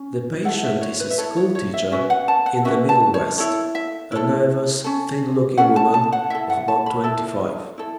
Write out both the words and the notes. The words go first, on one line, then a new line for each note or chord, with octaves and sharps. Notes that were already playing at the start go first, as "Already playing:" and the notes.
The patient is a school-teacher in the Middle West, a nervous, thin-looking woman of about twenty-five.
Already playing: C#4
E4 A4 F#5
E5
C#5
B4
E5
E4 A4 C#5
C#5
C#5
E5
C#4 F#4 B4 E5
F#5
A5
F#5
C#4 F#4 B4 E5
A5
C#5
E4 A4 C#5
E5
E4 A4
C#4 A4
C#4 A4 F#5
A5
A5
F#5
E4 A4 E5
F#5
A5
B5
E4 A4 A5
E4 A4